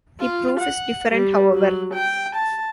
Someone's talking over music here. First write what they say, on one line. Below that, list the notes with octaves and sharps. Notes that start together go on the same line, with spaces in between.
The proof is different, however.
F4
F#5
G3
F#3
G5
A5